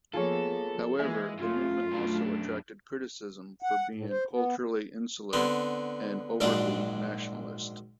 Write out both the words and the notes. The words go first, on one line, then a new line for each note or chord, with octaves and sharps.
However, the movement also attracted criticism for being culturally insular and overtly nationalist.
F3 A#3 B3 F4 G#4 A4 C#5
E3 G#3 A#3 E5 G#5
F#2 C#3 A3 F4
B2 D4
F#5
A2
C5
B3
D3 B3 C4
A#1 G#2 F#3 D4 D5